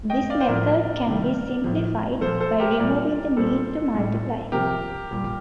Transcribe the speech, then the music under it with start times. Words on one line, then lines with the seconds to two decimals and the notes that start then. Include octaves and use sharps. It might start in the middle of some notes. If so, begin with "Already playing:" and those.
This method can be simplified by removing the need to multiply.
0.10 D#5 G5
0.30 D5 F5
0.40 C5
0.48 A2 F3 A#4 D5
1.07 C3 D#3 G3
1.64 A2 F3
2.21 A#2 F3 A4 C5
2.40 A4 C5
2.60 G4 A#4
2.79 A#2 G3 A#4 D5
3.37 A#2 G3 A4 C5
3.94 A2 G3
4.52 C3 F3 G4 A#4
5.11 A#2 G3